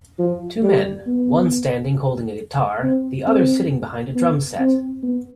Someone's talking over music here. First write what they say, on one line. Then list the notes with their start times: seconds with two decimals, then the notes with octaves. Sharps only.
Two men one standing holding a guitar, the other sitting behind a drum set.
0.19 F3
0.63 G3
1.07 B3
2.83 C4
3.27 C4
4.15 B3
4.59 C4
5.03 B3